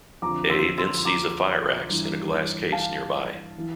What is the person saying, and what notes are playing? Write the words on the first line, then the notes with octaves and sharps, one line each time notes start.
A then sees a fire axe in a glass case nearby.
F2 D3 F3 A#5 D6
C6 E6
C6 E6
C6
A#5 D6
G2 E3
F5 A5
E3